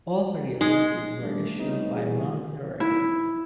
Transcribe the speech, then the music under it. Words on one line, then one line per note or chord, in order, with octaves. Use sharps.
All three releases were issued by Mountain Records.
G#3 D#4
D#3 G3 A3 A#3 D4
C3 G3 A3 B3 C#4 D#4
E3 G3 A3 F#4 G#4
E4